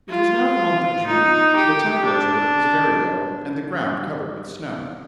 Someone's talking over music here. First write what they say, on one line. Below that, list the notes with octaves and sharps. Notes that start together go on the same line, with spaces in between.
It was now the month of June, the temperature was very low, and the ground covered with snow.
F4
D#4
G4
D4